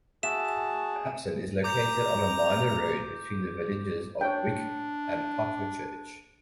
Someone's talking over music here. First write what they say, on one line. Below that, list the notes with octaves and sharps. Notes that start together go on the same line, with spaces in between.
Abson is located on a minor road between the villages of Wick and Pucklechurch.
F#4 G#4 E5 A5 E7
A#5 D6 G6
D4 C#5 G5